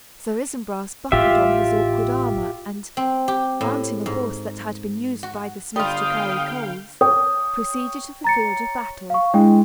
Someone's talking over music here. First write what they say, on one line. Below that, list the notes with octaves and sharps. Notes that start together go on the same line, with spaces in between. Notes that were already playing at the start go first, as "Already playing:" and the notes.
Sir Isumbras buckled on his awkward armor and, mounting a horse that had been used by the smith to carry coals, proceeded to the field of battle.
A1 A2 F4 G4 E5
C4
G4
A2
G#2
F#4
D3 G3 F4 G4 F5 G5 D#6
C#5 G5 D#6
A#5 A6 C#7
F5 C#6
G#3 D4 E4 G5